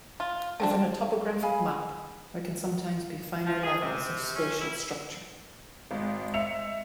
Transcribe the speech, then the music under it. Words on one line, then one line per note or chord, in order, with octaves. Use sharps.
Within a topographic map there can sometimes be finer levels of spatial structure.
F4
D3 C4 D4
C4
G#4 F5 G#5 B5
F3
G#4
C3
C#4
E4
G#1 G#3
E5 C#7 F7